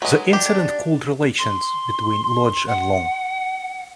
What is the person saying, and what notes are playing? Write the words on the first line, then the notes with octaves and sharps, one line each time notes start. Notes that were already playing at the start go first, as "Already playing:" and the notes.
The incident cooled relations between Lodge and Long.
F#3 G#3 B4
D4 G4
C6
F#5